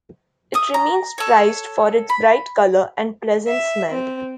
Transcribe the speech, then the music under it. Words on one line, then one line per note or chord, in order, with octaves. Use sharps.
It remains prized for its bright color and pleasant smell.
E5 D#6
A#5
A4 C#5
B5
E5
C4